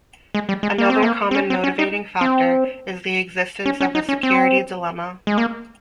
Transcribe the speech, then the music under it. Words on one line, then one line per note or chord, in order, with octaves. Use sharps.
Another common motivating factor is the existence of a security dilemma.
G#3
G3
G#3
A#3
C4
A#3
C4
C#4
C4
C#4
D#4
C4
C#4
C#4
D#4
C#4
C4
G#3
A#3